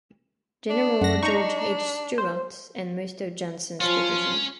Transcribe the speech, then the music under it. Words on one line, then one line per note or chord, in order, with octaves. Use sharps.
General George H. Steuart, and most of Johnson's division.
D4
F#2 F#5 A#6
D#4 D#5 A#5 C#6
C5
F3 F#3 C#4 F4